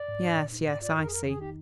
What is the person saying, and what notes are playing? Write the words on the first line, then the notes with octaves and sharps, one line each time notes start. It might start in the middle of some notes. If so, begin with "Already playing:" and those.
Yes, yes; I see.
Already playing: D5
G#2
D4
A#2
D#4
G#2 D5
F4 D5
F2 A#4
G#4
F2 A#4
D#3 G#4
D#4 G4